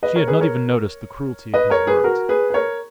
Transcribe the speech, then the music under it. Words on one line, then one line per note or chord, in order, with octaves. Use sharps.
She had not even noticed the cruelty of his words.
B4 D#5
A#4 C#5
G#4 B4
A#4 C#5
B4 D#5
A#4 C#5
G#4 B4
F#4 A#4
G#4 B4
B4
A#4 C#5